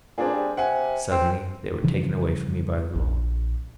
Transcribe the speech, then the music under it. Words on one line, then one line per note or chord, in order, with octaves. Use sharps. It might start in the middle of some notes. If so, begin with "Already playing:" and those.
Suddenly they were taken away from me by the law.
A#2 C4 D4 G#4
G3
C3 F#5 G#5
C4
G2 C#3 E3 F3
A#1